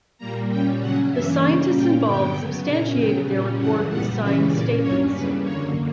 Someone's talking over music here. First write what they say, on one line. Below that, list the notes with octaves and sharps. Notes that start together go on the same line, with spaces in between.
The scientists involved substantiated the report with signed statements.
A#2 G3 A#3 A#5
A#2 G3 C#4 G5
C#3 F#3 C#4 F#5
G2 E3 A#3 C#4 E5
C#3 G3 A#3 C#4
A#2 A#3 C#4 G5
G2 D3 F#3 B3 G5
C#3 F#3 B3
A#2 A#3 C#4 A#5
C#3 F#3 B3 G5
A#2 G3 C#4
F#2 C#3 E3 G3 F#5
A#2 G3 B3 F#5
C#3 E3 G3 C#4 E5
A#2 A#3 C#4 D5
G2 F#3 A#3 C#4 C#5
E2 C#3 G3 B4
F#2 D3 A#3 C#5